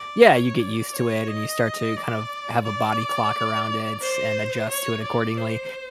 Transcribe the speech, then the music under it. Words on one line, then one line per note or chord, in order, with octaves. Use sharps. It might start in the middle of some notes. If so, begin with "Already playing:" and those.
Yeah, you get used to it, and you start to, kind of, have a body clock around it and adjust to it, accordingly.
Already playing: D5
C#5
D5
C#5
D#5
D5
D5
C5
C#5
D5
C5